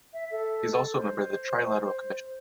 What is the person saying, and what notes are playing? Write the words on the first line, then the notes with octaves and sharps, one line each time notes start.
He is also a member of the Trilateral Commission.
E5
A4
C5